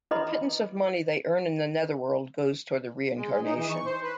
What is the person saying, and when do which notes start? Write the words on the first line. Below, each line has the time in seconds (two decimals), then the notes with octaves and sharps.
The pittance of money they earn in the Netherworld goes towards their reincarnation.
0.11 E4 B4 D#5 B5 C6
3.17 G#3
3.32 G#3
3.45 D#4
3.58 E3
3.70 C#6
3.86 C5
4.03 B4